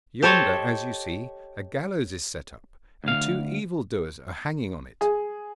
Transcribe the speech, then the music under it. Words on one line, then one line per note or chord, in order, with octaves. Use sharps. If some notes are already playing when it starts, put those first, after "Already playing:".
Yonder, as you see, a gallows is set up, and two evil-doers are hanging on it.
G4 A4 C5 C#5 D#5
D2 F5
G#4